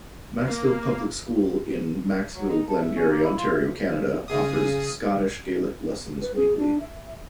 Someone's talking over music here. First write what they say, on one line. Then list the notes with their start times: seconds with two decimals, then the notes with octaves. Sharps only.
Maxville Public School in Maxville, Glengarry, Ontario, Canada offers Scottish Gaelic lessons weekly.
0.48 A#3
2.34 F#3
2.49 D#4
2.68 A4
2.82 E5
2.96 C#4
3.10 A#3
3.23 E4
3.37 F4
3.52 E5
4.28 C#3 G#4 D#6
6.21 B4
6.35 G#4
6.56 D4
6.80 E5